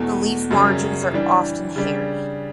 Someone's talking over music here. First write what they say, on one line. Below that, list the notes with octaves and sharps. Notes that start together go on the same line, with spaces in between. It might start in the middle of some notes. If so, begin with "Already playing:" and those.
The leaf margins are often hairy.
Already playing: E2 B2 A3
F#2 C#3 G3 C#4
E3 G3 D4
C#3 G3 D4